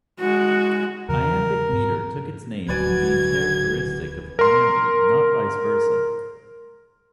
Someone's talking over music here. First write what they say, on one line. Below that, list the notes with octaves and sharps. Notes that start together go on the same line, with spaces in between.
Iambic metre took its name from being characteristic of "iambi", not vice versa.
G#3 F#4
E2 C#3 E3 A#4
G#2
D1 D3 F#3 F#4 B4 D5 G#5 G#6
A#4 C6